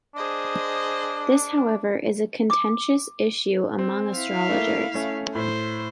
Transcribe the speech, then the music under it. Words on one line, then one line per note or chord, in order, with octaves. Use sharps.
This however is a contentious issue among astrologers.
D4 G#4 C5 D#5
D6
C4
E4 F5
A3 A#3
A3 C#4
A2 C5